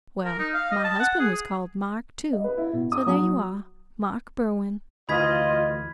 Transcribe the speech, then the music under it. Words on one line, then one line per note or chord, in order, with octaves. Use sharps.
"Well, my husband was called Mark, too, so there you are--Mark Berwin."
A#4
D#4
F5
D#5
A5
F#5
G#4
D#5
B4
E4
B2
D#6
F#3
D2 E3 F4 D#5 B5 G#6 B6